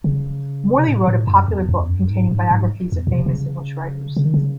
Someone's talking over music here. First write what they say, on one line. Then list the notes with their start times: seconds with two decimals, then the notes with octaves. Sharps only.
Morley wrote a popular book containing biographies of famous English writers.
0.04 C#3
0.76 C3
0.87 A2
1.08 A2
1.27 F#2
1.48 E2
1.69 F#2
1.80 E2
1.90 F#2
2.10 G#2
2.31 G#2
2.51 G#2
2.92 E2
3.07 A2
3.13 C3
3.26 C3
3.34 C#3
4.17 C#3
4.25 D#3
4.34 C#3